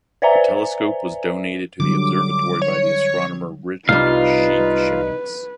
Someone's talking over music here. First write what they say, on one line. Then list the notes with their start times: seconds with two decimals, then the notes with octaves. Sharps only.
The telescope was donated to the observatory by the astronomer Richard Sheepshanks.
0.22 B4 C5 D5 E5 G#5 A#5
1.80 D3 F#3 G3 D6
2.62 C#5
3.89 C2 G3 D#4 F4 B4 F5